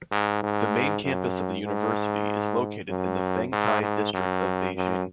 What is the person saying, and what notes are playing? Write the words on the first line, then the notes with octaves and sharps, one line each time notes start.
The main campus of the university is located in the Fengtai District of Beijing.
G#2
G#2
F#2
G#2
F#2
G#2
G#2
F#2
F#2